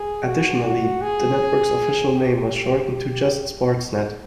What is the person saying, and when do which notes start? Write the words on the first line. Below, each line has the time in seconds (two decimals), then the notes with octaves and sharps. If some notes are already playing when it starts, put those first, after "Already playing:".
Additionally, the network's official name was shortened to just Sportsnet.
Already playing: G#4
0.25 F#4
0.64 F#4
1.02 G#4
2.17 G4